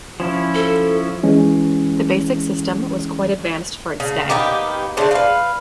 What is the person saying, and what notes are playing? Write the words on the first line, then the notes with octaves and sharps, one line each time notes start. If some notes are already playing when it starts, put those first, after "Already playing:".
The basic system was quite advanced for its day.
F3 C#4 E4
A4
E3 G#3 C#4
C#3
A#3 B3 D#4 G4
C#3 A3 D4 C5
B4 F5